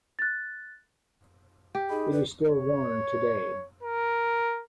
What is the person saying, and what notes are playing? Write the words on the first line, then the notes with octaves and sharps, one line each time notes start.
It is still worn today.
F#6 A6
G4 G5
D#4 G#4 D#5 B5
B4 D5
C#5
A#4